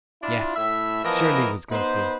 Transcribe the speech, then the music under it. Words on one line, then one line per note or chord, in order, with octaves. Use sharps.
Yes, Shirley was guilty.
D4 E4 F4
A2 E5
E3 F3 B3 A#4 D#5
B3 D#4 B4 C5